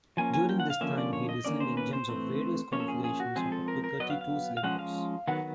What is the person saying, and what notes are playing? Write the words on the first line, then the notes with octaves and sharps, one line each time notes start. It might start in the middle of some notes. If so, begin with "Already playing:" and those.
During this time, he designed engines of various configurations of up to thirty-two cylinders.
F3 A#3 C#4 G#5
G#5
G5
F#5
F5
D3 F3 A#3 C#4 E5
D5
C#5
D#5
D#3 G3 A#3 C#4 D5
C5
B4
C5
E3 A3 C4
F3 A#3 C#4 C#5
A4
G#4
G#4
F#4
F3 G#3 C4 G#4
A4
A#4
A#4
F#3 B3 D#5
F5
F5
F5
F3 G#3 C#4 F#5
F5
D#3 F#3 B3 F#5